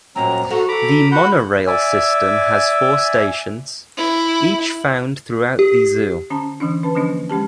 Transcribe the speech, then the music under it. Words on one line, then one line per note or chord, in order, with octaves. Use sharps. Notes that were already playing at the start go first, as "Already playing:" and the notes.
The monorail system has four stations, each found throughout the zoo.
F#2 A#2 F#3 G3 C4 A#5
F#4 A4 A#5
A4 A#5 B5 D6
F#4 F#5 B5 G6
D5 E5 G#5
E4
G4
D3 C#4 A5 A#5
D3 E3 C#4 D4
C#4 B4 A5
D3 F3 A#3 C#4 D4
G#3 C#4 G4 A5